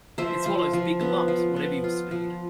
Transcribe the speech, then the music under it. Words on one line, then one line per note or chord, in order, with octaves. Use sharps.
It swallows big lumps, whatever your speed.
F3 C5 E5
F3
F3
B3
F3
B3
F4
F3